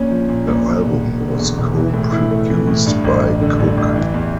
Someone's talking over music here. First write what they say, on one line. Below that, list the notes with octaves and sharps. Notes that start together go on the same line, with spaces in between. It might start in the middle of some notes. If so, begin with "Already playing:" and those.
The album was co-produced by Cook.
Already playing: A#1 A#2 C#4
F3
A#2
A#1
E2
E1
E1
D3
E2
E1
E3
A2
E4
A3
E3
A2
G2
A1
A1
D3
G2
A1
E3
E2